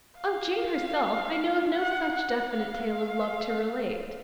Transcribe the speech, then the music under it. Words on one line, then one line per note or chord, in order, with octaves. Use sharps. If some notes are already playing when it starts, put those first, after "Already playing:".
Of Jane herself I know of no such definite tale of love to relate.
F5
F#5
F#5
F5